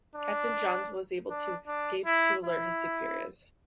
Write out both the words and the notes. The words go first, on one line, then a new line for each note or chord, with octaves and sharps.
Captain Johns was able to escape to alert his superiors.
D4
D4
D4
E4
E4